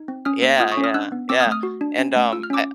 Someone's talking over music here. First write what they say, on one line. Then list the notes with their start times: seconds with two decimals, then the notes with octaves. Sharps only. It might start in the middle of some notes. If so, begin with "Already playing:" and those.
Yeah, yeah, yeah, and, um, I
Already playing: D#4
0.08 C4
0.25 C#4 D#6 F6
0.42 A#3
0.60 F4 D#6 F6
0.72 C#6 D#6
0.77 C#4
0.84 D#6 F6
0.94 D4 E6 F#6
1.12 B3
1.29 C4 D6 E6
1.40 D#6 F6
1.47 A3
1.52 D#6 F6
1.63 F#4
1.81 D4
1.98 C#4
2.16 A3
2.33 F4 E6
2.43 F6
2.50 C#4 D6 E6